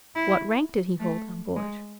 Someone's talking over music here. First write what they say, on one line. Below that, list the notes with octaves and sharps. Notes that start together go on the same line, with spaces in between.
"What rank did he hold on board?"
E4
A3
G#3